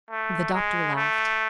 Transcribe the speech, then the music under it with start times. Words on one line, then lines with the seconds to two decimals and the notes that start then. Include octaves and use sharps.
The doctor laughed.
0.11 A3
0.53 G#3
0.96 A3